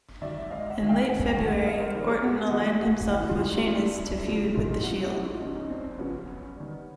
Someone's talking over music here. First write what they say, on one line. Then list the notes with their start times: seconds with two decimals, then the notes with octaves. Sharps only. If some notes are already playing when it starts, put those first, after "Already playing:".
In late February, Orton aligned himself with Sheamus to feud with the Shield.
0.22 D#3 F#3 D5 E5
0.50 G#2 D#5 F5
0.70 E5 F#5
0.80 D#3 F#3
0.89 F5 G5
1.09 G#2 F#5 G#5
1.28 G5 A5
1.37 D#3 F#3
1.47 E5 F#5
1.60 F#5
1.66 G#2 D#5 F5
1.80 A#4 C5
1.95 E3 G3 G#4 A#4
2.09 G#4 A#4
2.24 G#2 F#4 G#4
2.52 E3 G3 F#4 G#4
2.81 G#2 F#4 G#4
3.10 E3 G3
3.20 E4
3.29 F4
3.39 G#2 E4 F#4
3.58 F4 G4
3.68 E3 G3
3.78 D4 E4
3.97 F#2
4.26 C#3 F3
4.54 F#2 D#4 F4
4.83 C#3 F3 E4 F#4
5.12 F#2 E4 F#4
5.26 D#4 F4
5.40 C#3 F3 C#4 D#4
5.55 C#4 D#4
5.69 F#2 C4 D4
5.99 C#3 F3 B3 C#4
6.28 F#2
6.56 D#3 G3